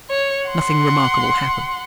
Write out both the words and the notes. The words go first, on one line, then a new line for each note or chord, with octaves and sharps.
Nothing remarkable hapened.
C#5
F#5 C6